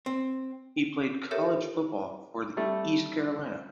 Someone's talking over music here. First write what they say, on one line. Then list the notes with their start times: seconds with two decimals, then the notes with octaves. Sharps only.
He played college football for the East Carolina.
0.06 C4
1.31 G4 A4 A#4 C#5 E5
2.57 G3 A3 A4